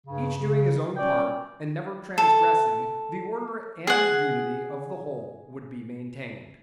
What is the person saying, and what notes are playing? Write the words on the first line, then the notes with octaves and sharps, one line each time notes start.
Each doing his own part, and never transgressing, the order and unity of the whole would be maintained.
G2 C#3
C#3
A#2 G3 C#4 D5 G5
A4
G#4 F#5